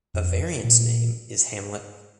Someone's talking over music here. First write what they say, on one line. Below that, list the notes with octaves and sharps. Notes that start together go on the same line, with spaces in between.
A variant name is "Hamlet".
F2
A#2